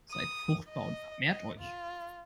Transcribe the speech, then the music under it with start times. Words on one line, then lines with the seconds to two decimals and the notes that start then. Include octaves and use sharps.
Seid fruchtbar und vermehrt euch!
0.11 D#6
0.70 D#5
1.27 D#5
1.60 F4